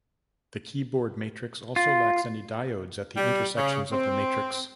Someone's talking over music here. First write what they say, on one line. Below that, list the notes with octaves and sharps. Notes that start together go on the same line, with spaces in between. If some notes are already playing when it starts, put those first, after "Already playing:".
The keyboard matrix also lacks any diodes at the intersections of the matrix.
F4
G3
C#3
C4